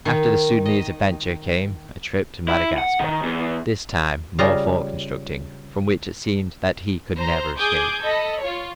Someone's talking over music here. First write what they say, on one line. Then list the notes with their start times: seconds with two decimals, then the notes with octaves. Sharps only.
After the Soudanese adventure, came a trip to Madagascar--this time, more fort constructing, from which it seemed that he could never escape.
0.05 D#3
0.65 D#5
2.48 E4
2.78 F#5
2.99 D#3
3.23 E2
4.39 C#3 G3 F4 D#5 A#5
7.18 C5 A#5
7.58 G#4 D6 D#6 G6 G#6
8.02 A4 D#5 B5
8.41 F4 C#5